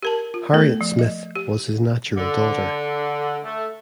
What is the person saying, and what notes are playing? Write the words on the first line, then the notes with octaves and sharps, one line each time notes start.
Harriet Smith was his natural daughter.
G4 A#4 A5
F4
A3 B3 A4
F3
D#5
G4
D3
A3